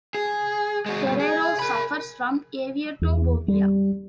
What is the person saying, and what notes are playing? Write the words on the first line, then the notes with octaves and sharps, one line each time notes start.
Guerrero suffers from aviatophobia.
G#4
G#3 F#4
G2 B2
G#4
A#4 B5
E2
G3